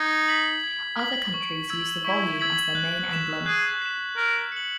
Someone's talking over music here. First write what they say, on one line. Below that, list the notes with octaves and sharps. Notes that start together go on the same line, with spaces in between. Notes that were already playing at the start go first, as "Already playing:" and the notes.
Other countries use the volume as their main emblem.
Already playing: D#4 G#6
B6 F#7
G#6
B6 F#7
C#6
E6 G#6 B6 F#7
E4 C#6
E6 G#6 B6 F#7
F#6
B6 E7
G#4 F#6
B6 E7
A#4 F#6
C#7 F#7